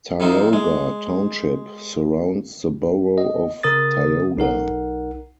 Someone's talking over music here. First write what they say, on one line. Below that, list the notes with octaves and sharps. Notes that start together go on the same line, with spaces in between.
Tioga Township surrounds the borough of Tioga.
F2 C3 F3 C4 D#4
G#3
D#5
C#3 A#4 D#6 A6
B1 D#4 A#4 F#5